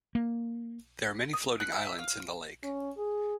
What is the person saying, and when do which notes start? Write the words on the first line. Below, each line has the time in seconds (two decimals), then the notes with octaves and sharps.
There are many floating islands in the lake.
0.15 A#3
1.33 D#6
1.60 F#6
1.73 E5
1.99 F5
2.63 C#4
2.97 G#4